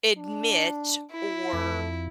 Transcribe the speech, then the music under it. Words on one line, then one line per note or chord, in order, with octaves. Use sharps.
admit or
D4
E4
F2 A2